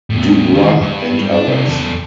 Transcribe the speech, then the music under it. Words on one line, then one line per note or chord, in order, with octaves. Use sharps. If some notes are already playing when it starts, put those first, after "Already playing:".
Du Bois and others.
E2 A2
D#3 F4
G2
D4
C3 D4
E2 A4